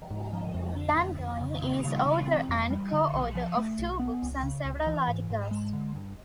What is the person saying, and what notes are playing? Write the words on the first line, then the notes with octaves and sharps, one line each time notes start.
Langone is author and co-author of two books and several articles.
G#2
F3
F2
D3
F2
F2
C#3
C#3
C#3
C#3
C4
F2
G3
D3
B1
F3
A3
B1
B3
C#2
C#3
C#2
E3
G#2
G#2
G#3
D3
G2